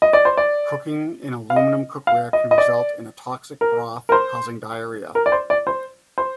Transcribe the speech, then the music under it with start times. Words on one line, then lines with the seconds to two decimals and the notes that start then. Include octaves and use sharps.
Cooking in aluminum cookware can result in a toxic broth, causing diarrhea.
0.02 D#5
0.13 D5
0.25 C5
0.37 D5
1.50 F5
1.56 D#5
2.07 F5
2.33 D#5
2.51 D#5
2.58 D5
3.61 A#4
4.09 A#4
4.12 C5
5.15 A#4
5.26 D5
5.32 C5
5.50 D5
5.67 C5
6.18 C5